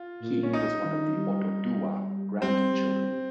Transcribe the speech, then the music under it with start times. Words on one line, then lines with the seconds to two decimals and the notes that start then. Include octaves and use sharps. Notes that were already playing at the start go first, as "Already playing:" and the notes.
He was one of the Oduduwa grand children.
Already playing: F4
0.22 A#2
0.43 C#4
0.53 D#4
0.85 D#3
1.16 G3
2.42 G3 C4
2.74 G3